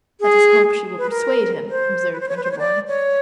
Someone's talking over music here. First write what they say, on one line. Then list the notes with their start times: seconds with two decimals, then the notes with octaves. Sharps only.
"Let us hope she will persuade him," observed Winterbourne.
0.21 G#4
0.98 B4
1.10 A#4
1.69 C5
2.12 B4
2.20 C5
2.29 C#5
2.37 B4
2.44 C5
2.51 C#5
2.59 D5
2.88 C#5